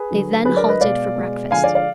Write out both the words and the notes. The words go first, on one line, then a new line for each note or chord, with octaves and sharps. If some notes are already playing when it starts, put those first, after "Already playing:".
They then halted for breakfast.
Already playing: G#4 B4
D3 F#3
D3 F#3 G#4 B4
A#4 D5
B4 D#5
B2 G#3 D5 F5
B2 G#3
D3 F3 G#3 F5 G#5
D5 F5
D5 F5